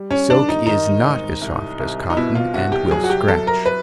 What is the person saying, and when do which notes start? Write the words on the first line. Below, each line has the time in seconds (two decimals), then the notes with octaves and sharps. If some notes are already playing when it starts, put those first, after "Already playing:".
Silk is not as soft as cotton and will scratch.
Already playing: G3
0.11 C#4
0.30 D#3 D4
0.49 D#4
0.66 D#3 D#4
1.04 G#2
1.41 C2
1.80 C2
2.10 D#4
2.16 B2 E4
2.35 F4
2.54 C2 F#4
2.72 G4
2.90 F#3 G#4
3.04 F#4
3.10 G4
3.28 F#3 A4
3.47 A#4
3.66 B4